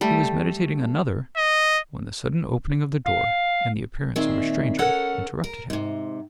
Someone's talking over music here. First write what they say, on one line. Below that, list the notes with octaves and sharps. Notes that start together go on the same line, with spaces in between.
He was meditating another, when the sudden opening of the door, and the appearance of a stranger, interrupted him.
G3 A3
D#5
F5
A#2 D#3 C4 G#4 E5
C#4 A4 A#4 F#5
A#4
G#2 C3